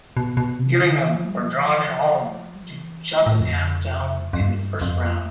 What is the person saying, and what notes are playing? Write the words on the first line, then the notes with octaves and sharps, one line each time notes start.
Gillingham were drawn at home to Cheltenham Town in the first round.
B2
B2
C3
D3
E3
F3
G3
F3
E3
F3
E3
F3
G3
F3
E3
A2
F2
F2
G2
F2